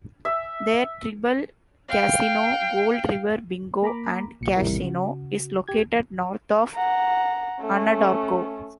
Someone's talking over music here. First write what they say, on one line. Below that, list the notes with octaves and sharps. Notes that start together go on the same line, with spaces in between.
Their tribal casino, Gold River Bingo and Casino, is located north of Anadarko.
E5
F5 G5
A#3 A#5 B5 D6
B1 A#2 C#7
A1 D#2 C3 G3 E4 A#4
C#3 F#4
G4 G#6
F#5 A#5
A3 C#4